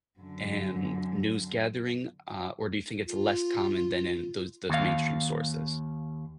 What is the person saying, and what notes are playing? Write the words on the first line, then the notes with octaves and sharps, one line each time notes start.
um, news gathering? Uh, or do you think it's less common than in those those mainstream sources?
F#2 D3
F4
D#2 F5